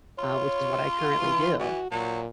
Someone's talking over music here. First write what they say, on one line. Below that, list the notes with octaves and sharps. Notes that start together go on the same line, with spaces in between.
uh, which is what I currently do.
F4 C#5
E3
E3 F#4
A#2 F#3